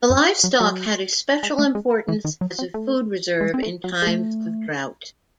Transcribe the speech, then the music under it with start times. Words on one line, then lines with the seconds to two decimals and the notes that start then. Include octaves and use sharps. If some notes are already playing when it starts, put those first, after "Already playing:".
The lifestock had a special importance as a food reserve in times of drought.
0.10 F#2
0.44 F#3
0.60 F#3
1.43 G#3
1.59 A3
1.75 G#3
2.08 E3
2.25 D#3
2.41 F#3
2.59 C4
2.74 A3
3.41 G#3
3.54 C4
3.62 A3
3.84 F#3
4.02 G#3
4.07 A3